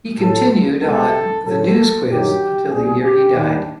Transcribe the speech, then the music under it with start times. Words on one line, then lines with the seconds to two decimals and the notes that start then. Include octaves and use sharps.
He continued on "The News Quiz" until the year he died.
0.19 A2 F#3 A4
0.82 C2 B2 G#3 A4
1.46 A2 F#3 A4
2.08 G2 D#3 F#3 G4
2.71 C2 A#2 G3 G#4
3.03 G4
3.34 D#2 D#3 G3 D4